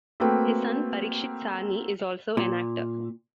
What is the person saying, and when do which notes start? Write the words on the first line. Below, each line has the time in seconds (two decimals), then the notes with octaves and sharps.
His son Parikshit Sahni is also an actor.
0.20 A3 A#3 C4 F#4 B4 G5
2.37 A#2